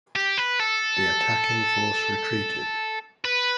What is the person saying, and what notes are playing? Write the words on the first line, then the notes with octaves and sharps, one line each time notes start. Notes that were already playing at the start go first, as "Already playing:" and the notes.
The attacking force retreated.
G4
B4
A4
B4